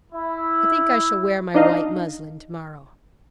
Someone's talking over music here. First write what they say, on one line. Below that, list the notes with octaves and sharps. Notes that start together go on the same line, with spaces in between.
I think I shall wear my white muslin tomorrow.
E4
D4 D#4 D#5 F5